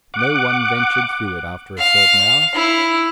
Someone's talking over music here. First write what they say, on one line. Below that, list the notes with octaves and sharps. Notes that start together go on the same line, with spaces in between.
No one ventured through it after a certain hour.
F#5 D6 F#6
F5
E4